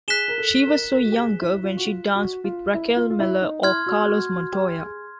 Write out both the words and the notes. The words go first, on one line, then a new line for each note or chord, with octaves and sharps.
She was so younger when she dance with Raquel Meller o Carlos Montoya.
G#4 F#6 B6 E7 G7
A#4
A4
A4
A#4
A#4
A4
F#4
G4
G#4
E4
F4
F#4
F4
F#4
F4
E4
F4
F4
E4
D#4
E4 C6 F6 G#6
F#4
F#4
F#4
G4
G#4